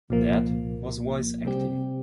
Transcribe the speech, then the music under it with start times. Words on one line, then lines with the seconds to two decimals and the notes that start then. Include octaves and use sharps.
That was voice acting.
0.10 C2 A#2 F3 A#3
1.45 C3 G3 C4 G4